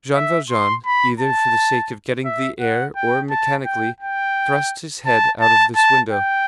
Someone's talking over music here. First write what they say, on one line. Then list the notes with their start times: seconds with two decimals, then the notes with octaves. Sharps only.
Jean Valjean, either for the sake of getting the air, or mechanically, thrust his head out of this window.
0.15 E5
0.50 C6
0.85 B5
1.20 A5
2.25 E5
2.61 F#5
2.96 G5
3.30 A5
3.65 G5
4.01 G5
5.06 A5
5.41 A5
5.76 A5
6.12 G5